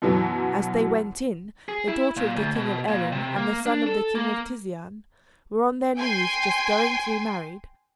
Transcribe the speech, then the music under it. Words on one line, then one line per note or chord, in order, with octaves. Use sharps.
As they went in, the daughter of the king of Erin and the son of the king of Tisean were on their knees just going to be married.
F#2 B2 E3 F#3
G#4
E4
A#2
D2
B2
A#2
C3
A#3
D4
A4
A#3
G5 G#5 C6